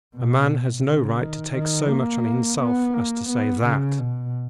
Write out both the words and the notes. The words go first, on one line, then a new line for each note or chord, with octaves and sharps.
"A man has no right to take so much on himself as to say that."
B2
C#3
D#3
D#3
A#3
B3
A#3
B3
C#3
B2